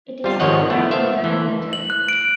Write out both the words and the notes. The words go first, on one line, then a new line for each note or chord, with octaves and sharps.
It is high and in diameter.
G3 F4
G#2 D#3 F3 C#5 D#5 F#5
A3 B3
C5 E5 F5
E3
F#7
F#6
D7